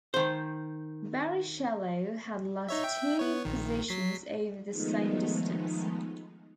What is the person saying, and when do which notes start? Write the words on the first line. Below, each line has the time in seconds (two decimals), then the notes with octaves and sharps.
Barrichello had lost two positions over the same distance.
0.14 D#3 C5
2.68 D#4 C#5 E5
2.84 E5 G5
3.19 B3 C#5
3.45 A#1 D#3
3.88 F#3 B6 C7
4.69 D#3 F3 G#3 A3 B3 D#4